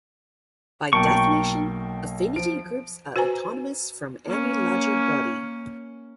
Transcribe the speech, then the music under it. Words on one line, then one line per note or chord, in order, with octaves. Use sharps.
By definition, Affinity groups are autonomous from any larger body.
B1 A#3 G5 A5 C#6
F3 D7
F#4 B4 C5 G#5 A#5
A#3 C#4